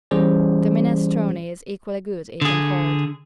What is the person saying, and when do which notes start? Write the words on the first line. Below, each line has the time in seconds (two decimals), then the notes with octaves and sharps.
The minestrone is equally good eaten cold.
0.11 E3 G3 C#4 G#4 C5 D5
2.42 D3 G#4